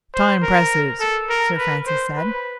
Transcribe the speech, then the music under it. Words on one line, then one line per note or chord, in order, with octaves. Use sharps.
"Time presses," Sir Francis said.
C5
A#4
A4
A#4
B4
C5
B4